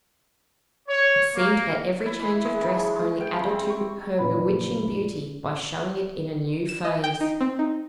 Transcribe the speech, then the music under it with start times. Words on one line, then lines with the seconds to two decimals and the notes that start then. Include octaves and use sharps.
It seemed that every change of dress only added to her bewitching beauty by showing it in a new phase.
0.88 C#5
1.36 A#3
2.06 E4
2.20 E3
2.45 G#3
2.60 C#3
2.73 D4
2.96 G#3
3.21 G5
3.33 C#3
3.49 C4
3.70 C#6
4.18 F#1 A#2 F3 D4 B4 B5
6.69 E7
6.85 D#5
7.04 G5
7.21 D#4
7.41 C4
7.59 D#4